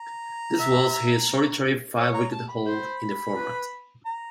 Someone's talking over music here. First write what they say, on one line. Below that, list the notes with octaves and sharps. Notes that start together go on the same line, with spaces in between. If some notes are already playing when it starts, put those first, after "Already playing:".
This was his solitary five-wicket haul in the format.
Already playing: A#5
E5
C#5
A#5
A5
B5
C5
B4
A#5